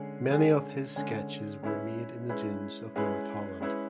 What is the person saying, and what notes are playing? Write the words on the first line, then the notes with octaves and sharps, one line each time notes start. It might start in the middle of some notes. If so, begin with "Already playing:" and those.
Many of his sketches were made in the dunes of North Holland.
Already playing: D3 G#3 C#4 G#4
D3 G#3 C#4 G#4
D3 G#3 C#4 G#4
G#3 C#4 E4 G#4 B4
G#3 C#4 E4 G#4 B4
G#3 C#4 E4 G#4 B4
G#3 C#4 E4 G#4 B4